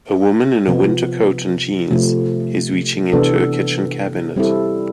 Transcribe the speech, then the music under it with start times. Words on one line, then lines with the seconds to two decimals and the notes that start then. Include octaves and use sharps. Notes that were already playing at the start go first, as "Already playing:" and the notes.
A woman in a winter coat and jeans is reaching into a kitchen cabinet.
0.68 C3 F3 B3
1.91 C3 F3 A3
3.13 C3 E3 B3 D4 A4
4.36 G3 C4 E4 A4